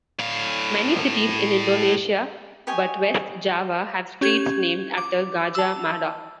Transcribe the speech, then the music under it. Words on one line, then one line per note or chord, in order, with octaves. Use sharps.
Many cities in Indonesia but West Java have streets named after Gajah Mada.
A2 F5
G4 C#5 D#5 G#5
C#4 G4 G#6
D6
A5 E6